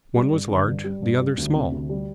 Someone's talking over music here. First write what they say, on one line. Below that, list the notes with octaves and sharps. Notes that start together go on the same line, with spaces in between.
One was large, the other small.
G3
G2
D3
G2
G3
G2
G3
D2
C3
D2
G3